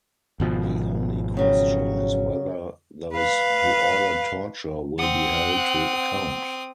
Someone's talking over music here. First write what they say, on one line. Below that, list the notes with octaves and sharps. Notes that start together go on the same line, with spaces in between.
The only question is whether those who ordered torture will be held to account.
G#1 B2 F3
C#3 F#3 G3
B4 F5
C4 F#5 D#6